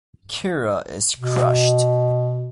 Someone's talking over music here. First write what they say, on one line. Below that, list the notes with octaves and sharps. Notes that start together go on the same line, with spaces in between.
Kira is crushed.
B2